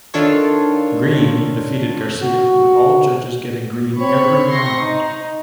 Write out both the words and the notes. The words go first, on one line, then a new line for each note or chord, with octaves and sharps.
Green defeated Garcia with all judges giving Green every round.
D#3 D4 F4 A4 C#5
F#4
C4 C#5 B5 C#6
C6 C#6 A#6
D#4